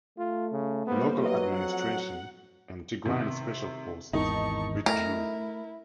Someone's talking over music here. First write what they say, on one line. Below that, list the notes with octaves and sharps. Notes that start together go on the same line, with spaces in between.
Local administration and Tigrayan Special Forces withdrew.
A3 F4
C#3
G3 A#3 B3 C5
F#3 B4 D#5
F2 F#5
C3 D#3
G#1 E2 D#3 D#4 A5 C#6
A3 E4 A#4